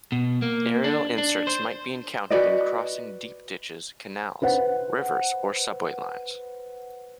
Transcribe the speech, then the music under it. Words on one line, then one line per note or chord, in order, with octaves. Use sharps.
Aerial inserts might be encountered in crossing deep ditches, canals, rivers, or subway lines.
B2
A#3
D4
D4
C5
F#4 B4 D5 D#5
B4 C5 F#5